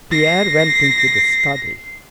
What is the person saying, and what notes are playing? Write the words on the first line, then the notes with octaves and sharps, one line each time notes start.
Pierre went into the study.
A#6 C7